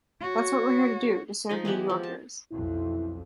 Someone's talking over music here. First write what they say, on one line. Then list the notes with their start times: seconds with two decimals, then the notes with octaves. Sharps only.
That’s what we’re here to do, to serve New Yorkers.
0.21 F#4 C#5
1.49 F3 D#4 D#5
1.65 E3 G#3 B3 G4
1.90 F3
2.03 A5
2.52 B1 F2 E4